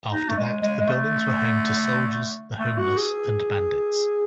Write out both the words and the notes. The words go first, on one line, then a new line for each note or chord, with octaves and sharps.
After that, the buildings were home to soldiers, the homeless, and bandits.
D#4
A3
G#3
G#3
G#3
A3
A3
F#4
G#4